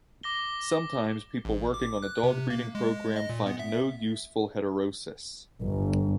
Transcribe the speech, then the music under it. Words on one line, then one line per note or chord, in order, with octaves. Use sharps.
Sometimes people working on a dog breeding program find no useful heterosis.
D6 A#6 G7
A1
D6
F#6
C3
A#3
G#3
D#5
A#2
B3
E5
G1